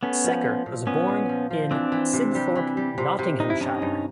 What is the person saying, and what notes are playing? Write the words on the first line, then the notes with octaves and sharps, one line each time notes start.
Secker was born in Sibthorpe, Nottinghamshire.
A3 B3 C#4
F3
F3
A#2
A#2 B3 C#4
A#2
F3
F3
E3 C4 D4
E3
C3
G3
E3
G3
C3
C3
D#3 D#4
E4
G2 C#4 D#4
G2